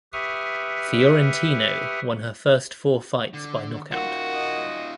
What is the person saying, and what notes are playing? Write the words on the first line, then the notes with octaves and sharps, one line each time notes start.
Fiorentino won her first four fights by knockout.
G4 B4 E5 C#6 D#6 F6
D3
D#4 F4 F#4 A#4 F#5
D#5